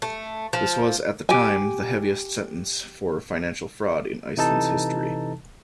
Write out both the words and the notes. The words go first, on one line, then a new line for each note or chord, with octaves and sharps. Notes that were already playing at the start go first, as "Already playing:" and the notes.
This was, at the time, the heaviest sentence for financial fraud in Iceland's history.
A3
F3
G4 G#5
C3 E3 D#4 A4 A5